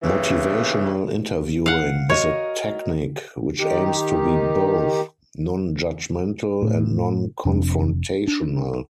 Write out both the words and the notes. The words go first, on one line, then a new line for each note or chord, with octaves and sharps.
Motivational interviewing is a technique which aims to be both non-judgmental and non-confrontational.
D#2 C#3 E3
F5 F#5
F#4 A#4 C#5 D#5
D#3 D#4 G4
A2
F1 F2 C3 D4
D4